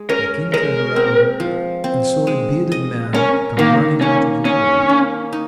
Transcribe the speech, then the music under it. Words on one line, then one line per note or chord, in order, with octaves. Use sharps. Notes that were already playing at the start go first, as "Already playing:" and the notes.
The King turned round, and saw a bearded man come running out of the wood.
Already playing: G#3
C#4 A#4
G#3 A#4
C4
F3
C4
G#3
D#5
C#4 A#4
D#3 A#3
A#3 C#4
C#4 D#5
A#3
D#4